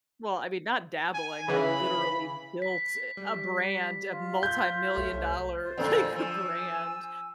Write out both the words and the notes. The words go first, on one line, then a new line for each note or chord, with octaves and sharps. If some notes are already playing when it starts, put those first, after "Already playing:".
Well, I mean, not dabbling, I literally built a brand, a multimillion dollar, like, brand,
G#5
C#3 E3 B5
B6
G3
F4
G6
C2 A3 C#5
F4 C5
F2 A#2 D3 A4
F3 G#5 E6